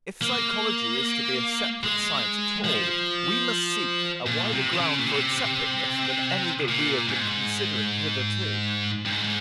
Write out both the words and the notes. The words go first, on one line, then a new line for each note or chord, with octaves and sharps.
If psychology is to be a separate science at all, we must seek a wider ground for its separateness than any that we have been considering hitherto.
A#3
G#3
F3
A#2
C3
D#3
C#3
A#2
C3
A#2
G#2
G2
G#2